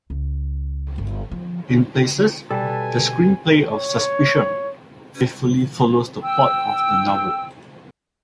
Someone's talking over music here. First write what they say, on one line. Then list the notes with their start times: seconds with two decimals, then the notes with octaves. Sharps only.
In places, the screenplay of "Suspicion" faithfully follows the plot of the novel.
0.10 C#2
0.98 G1
1.31 F3
2.51 B2 G3 A4 B4 G#5 A5
3.74 C#5
6.21 G5 E6